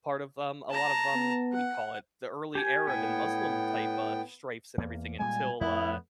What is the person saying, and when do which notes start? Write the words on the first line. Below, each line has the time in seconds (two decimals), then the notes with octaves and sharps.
part of um, a lot of, um, what do you call it? The early Arab and Muslim type, uh, stripes and everything until, uh
0.70 A5 A#5
1.14 B3
1.52 F#5
2.55 G4 G#5
2.87 A2 B3 G5 G#5
4.78 E2 A#3
5.19 A#2 G3 G#3 G#5
5.61 F2 A3 B3 E4